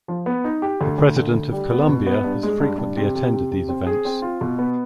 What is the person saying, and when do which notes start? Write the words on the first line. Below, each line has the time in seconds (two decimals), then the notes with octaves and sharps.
The President of Colombia has frequently attended these events.
0.08 F3
0.26 B3
0.44 D#4
0.62 G4
0.81 D2
0.98 D2
1.16 D2
1.34 D2
1.52 G3
1.71 B3
1.89 B2
2.07 B3
2.24 G2
2.43 G#3
2.60 G2
2.78 G2
2.97 C3
3.15 C3
3.33 C3
3.51 C3
3.69 C4
3.87 G#4
4.05 C4
4.22 F4
4.41 B2
4.58 B3